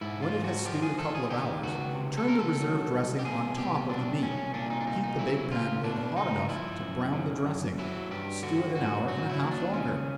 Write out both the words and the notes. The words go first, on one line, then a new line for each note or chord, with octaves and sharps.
When it has stewed a couple of hours, turn the reserved dressing on top of the meat, heat the bake pan lid hot enough to brown the dressing, stew it an hour and a half longer.
G#2 E4
F4
G#2
F#4
F3 G4
G#4
F3 A4
G#4
D#3 G4
C#2 F#4
C3
A4
C#2 A#4
A4
F#3
C2
G4
B2 G#4
C2 G4
F#3 D4
C2 C#4
A#2 D4
D#4
D4
C2 D#4
D#4
F#3 E4
C#2 F4
B2 D4
C#2 D#4
F3 E4
F#2
C#3
F#2
F#3 E4
G2 G4
D3 F#4
G2 F#4
F#3 F#4
E4
D#2
D4
C#3 C#4